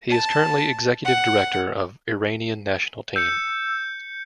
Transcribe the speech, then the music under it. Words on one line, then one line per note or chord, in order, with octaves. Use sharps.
He is currently Executive director of Iranian national team.
A5
F#5
E6 G6 C#7